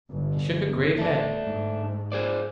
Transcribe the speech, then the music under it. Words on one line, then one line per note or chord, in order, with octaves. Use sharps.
He shook a grave head.
G1
A3 D4
G#2
G#4 C5 D5